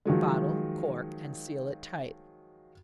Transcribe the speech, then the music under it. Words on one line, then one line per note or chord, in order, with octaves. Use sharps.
Bottle, cork, and seal it tight.
D#3 F3 F#3 G#3